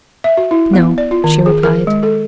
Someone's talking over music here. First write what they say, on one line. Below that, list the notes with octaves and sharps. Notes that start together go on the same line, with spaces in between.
"No," she replied.
E5
F#4
E4
B3
D5
F4
D#3
G#4
A#4
G#3
A4